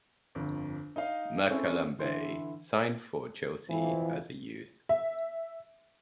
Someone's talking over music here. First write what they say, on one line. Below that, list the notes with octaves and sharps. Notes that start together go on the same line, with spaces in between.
Ma-Kalambay signed for Chelsea as a youth.
G1 F2
D#4 D#5 F5
C4 C#4 E4 G#4 A4 C#5
D3 E3 E4 C6
F2 E3
E5